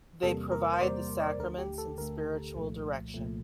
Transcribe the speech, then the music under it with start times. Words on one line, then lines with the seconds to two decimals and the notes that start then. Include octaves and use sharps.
They provide the sacraments and spiritual direction.
0.23 E2 C3 G3 A#3 A4
0.52 A#4
0.73 C5
0.81 E2 C3 G3 A#3 D5
1.20 D5
1.39 D2 D3 A3 A#4
1.58 G4
1.78 A4
1.97 D2 D3 A3 A#4
2.55 C2 A#2 F3 A3
3.14 C2 A#2 F3 A3